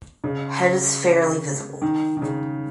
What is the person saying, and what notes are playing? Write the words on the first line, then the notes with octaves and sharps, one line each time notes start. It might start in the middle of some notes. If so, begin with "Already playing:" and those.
Head is fairly visible.
C#3
D#3
D#3
C#3